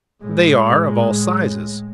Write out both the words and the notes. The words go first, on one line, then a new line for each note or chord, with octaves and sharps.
They are of all sizes.
A2 G#3